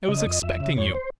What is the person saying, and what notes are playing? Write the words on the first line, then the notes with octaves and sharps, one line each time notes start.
I was expecting you.
C#3 D#5
F2
F2 E5
C#3
F2 C#5
C5